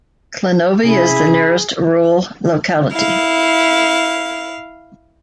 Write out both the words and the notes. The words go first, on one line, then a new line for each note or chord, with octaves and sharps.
Klinovy is the nearest rural locality.
C3 C#4 E4 G#4
E4 F5